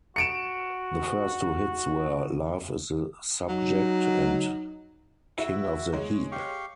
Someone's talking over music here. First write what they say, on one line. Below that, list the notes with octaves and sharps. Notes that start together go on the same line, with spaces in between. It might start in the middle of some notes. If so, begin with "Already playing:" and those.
The first two hits were "Love is the Subject" and "King of the Heap".
F#4 C#7 D7 E7
F#3 D#4
E4 F#4
G#3 C#5
G4 F5 C#6